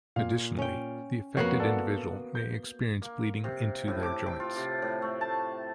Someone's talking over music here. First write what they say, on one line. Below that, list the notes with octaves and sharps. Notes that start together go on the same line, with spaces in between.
Additionally, the affected individual may experience bleeding into their joints.
A#2 F5
C#4 G5
F2 A#3 B3 F#4 C#5 C7
A4 D5 F#5
G6
A#3
C3
A2
D6
G5
F4
C3
A2
A3
A5